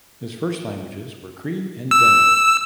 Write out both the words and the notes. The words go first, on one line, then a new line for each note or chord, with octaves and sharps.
His first languages were Cree and Dene.
E6